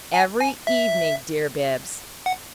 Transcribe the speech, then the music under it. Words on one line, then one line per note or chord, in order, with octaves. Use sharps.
"Every evening, dear Bibbs!"
G#5
G#5
E5
F#5